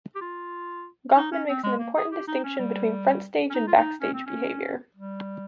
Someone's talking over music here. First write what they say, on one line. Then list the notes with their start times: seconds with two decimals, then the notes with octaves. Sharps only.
Goffman makes an important distinction between "front stage" and "back stage" behavior.
0.15 G4
0.21 F4
1.16 D#4
1.32 C#4
1.48 C4
1.63 G#3
1.79 A#3
1.96 G#4
2.12 G4
2.28 D#4
2.44 C#4
2.59 G3
3.50 C#4
3.54 D#4
3.67 F4
3.77 D#4
4.01 C#4
4.14 C4
4.26 C#4
4.96 G3